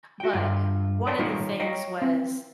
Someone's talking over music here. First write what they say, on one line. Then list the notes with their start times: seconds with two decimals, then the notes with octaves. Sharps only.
But, uh, one of the things was
0.20 F#4 G5
0.33 G2 F4
1.07 C#5 D5 G5 A5 C6
1.19 G3 D#4 F4 C#5 G5
1.60 C#5 D#5 F5 G5 A#5
2.02 C4